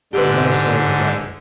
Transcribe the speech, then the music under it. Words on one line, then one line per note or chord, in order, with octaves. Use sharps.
He went up stairs again.
G#2 D3 G4 B4